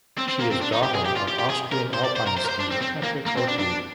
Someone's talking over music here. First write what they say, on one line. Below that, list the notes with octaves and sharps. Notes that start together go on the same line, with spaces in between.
She is daughter of Austrian alpine skier Patrick Ortlieb.
C4
C4
A#3
C4
D4
D#4
G4
G#4
G4
F4
G4
G4
G#4
A#4
C5
D5
C5
A#4
C5
A#4
C5
D4
C4
C4
A#3
A#3
C4
D4
D4